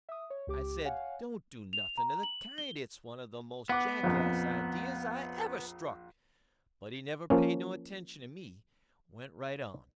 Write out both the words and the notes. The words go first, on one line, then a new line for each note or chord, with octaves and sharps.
I said, "Don't do nothing of the kind; it's one of the most jackass ideas I ever struck;" but he never paid no attention to me; went right on.
E5 D#6
C#5
C#2 G4 D6
C#5 F5 F#5 G#5
F7
A#5
F#7
G7
B3 F#5 D6
A#1 F2
F3 A#3 C#4